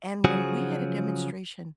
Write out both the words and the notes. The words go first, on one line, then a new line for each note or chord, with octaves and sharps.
and when we had a demonstration,
C#3 F3 F#3 F#4 G#4